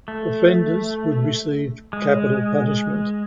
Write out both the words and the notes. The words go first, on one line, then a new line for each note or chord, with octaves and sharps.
Offenders would receive capital punishment.
A3
G#3